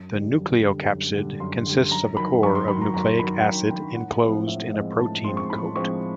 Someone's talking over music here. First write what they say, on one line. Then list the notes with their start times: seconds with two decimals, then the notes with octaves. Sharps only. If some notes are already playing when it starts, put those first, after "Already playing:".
The nucleocapsid consists of a core of nucleic acid enclosed in a protein coat.
Already playing: F#2
0.12 D3 G3
0.38 F#2
0.63 D3 G3
0.88 F#2
1.14 D3 G3
1.40 F#2 C6
1.66 D3 G3
1.91 F#2 A#5
2.17 D#3 F#3 B5
2.43 F#2 C#6
2.55 C6
2.68 D#3 F#3 B5
2.81 A#5
2.94 F#2 A#5
3.19 D#3 F#3 B5
3.45 F#2 G5
3.70 D#3 F#3 G5
3.96 A2 F#5
4.23 F3 G#3 C4
4.47 A2 E5
4.73 F3 G#3 C4 D#5
4.99 A2 A5
5.24 F3 G#3 C4 C6
5.37 C#6
5.50 A2 B5
5.76 F3 G#3 C4 C#6